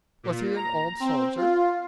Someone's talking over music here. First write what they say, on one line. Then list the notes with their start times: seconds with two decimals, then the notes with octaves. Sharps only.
"Was he an old soldier?"
0.23 A#2
0.56 A#5
1.00 C4
1.37 F4